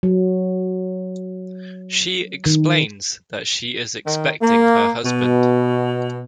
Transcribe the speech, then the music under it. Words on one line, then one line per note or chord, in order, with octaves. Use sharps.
She explains that she is expecting her husband.
F#3
D#3
D#3
A#3
B2